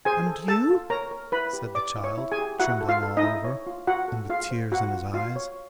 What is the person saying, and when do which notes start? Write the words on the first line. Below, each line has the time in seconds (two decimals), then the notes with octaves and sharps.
"And you?" said the child, trembling all over, and with tears in his eyes.
0.05 G#4 C5 G#5
0.26 A4
0.48 A4 A5
0.70 F4
0.90 A#4 C#5 A#5
1.11 A#4
1.32 E4 B4 B5
1.53 G4
1.75 B4 D5 D6
1.97 E4
2.04 C#5 C#6
2.17 E4
2.32 G#4 G#5
2.38 G4
2.59 E4 F#4 F#5
2.81 A4
2.89 F4 F5
3.03 A4
3.17 D#4 D#5
3.23 E4
3.44 C#5
3.67 F4
3.87 F4 F#4 F#5
4.08 A4
4.29 F4 G#4 F5
4.51 C5
4.72 F4 F#4 F#5
4.94 F4
5.14 F4 F#4 F5
5.36 C#5